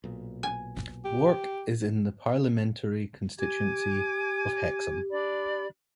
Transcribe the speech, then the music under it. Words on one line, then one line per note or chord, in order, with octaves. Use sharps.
Wark is in the parliamentary constituency of Hexham.
B1 A#2
G#5
G4
G4 G#5 D6 G#6
D4 D5 B5